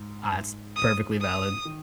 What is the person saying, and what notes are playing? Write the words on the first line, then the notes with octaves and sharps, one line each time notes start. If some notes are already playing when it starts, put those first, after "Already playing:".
Ah, that's perfectly valid.
Already playing: G#2
G#2
D#6
D#6
D#3